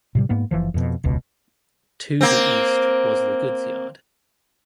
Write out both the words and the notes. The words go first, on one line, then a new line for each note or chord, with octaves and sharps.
To the east was the goods yard.
A2 C3 G3
G#2 A#3 B3
F#1 E3 F3
F2 B2
E1 C#2 B2
A#3 C4